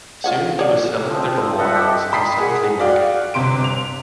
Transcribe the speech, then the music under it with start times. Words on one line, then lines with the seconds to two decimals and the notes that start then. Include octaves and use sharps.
Soon he was selling their belongings in some flea market.
0.24 F4 C#5 F#5
0.59 C#5 D5
1.10 F3 C4
1.58 A4 D#5 E5 F#5
1.75 F3 G4
2.12 G5 A5 B5 D#6 B6 C7
2.39 G#4 A#4 F#5
2.79 F#4 D5 F5 G5
3.34 G1 C3 C6 D7
3.64 F7